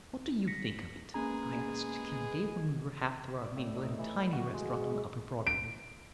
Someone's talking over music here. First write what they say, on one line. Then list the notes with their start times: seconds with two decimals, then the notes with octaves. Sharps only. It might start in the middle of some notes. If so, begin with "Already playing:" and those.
"What do you think of it?" I asked Kennedy, when we were half through our meal at a tiny restaurant on upper Broadway.
0.47 A#6 B6 C#7
1.14 G#3 A#3 B3 C#4 G#4 A#5
3.44 D5
3.56 A2
3.76 D#4
3.99 E3
4.33 F#4
4.54 G#3
4.81 B2
5.47 D7